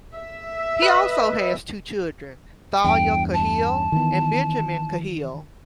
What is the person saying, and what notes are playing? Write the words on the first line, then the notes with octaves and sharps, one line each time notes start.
He also has two children, Tahlia Cahill and Benjamin Cahill.
E5
B4 D#5
E2 G2 G5
A5
D#3 E3 B3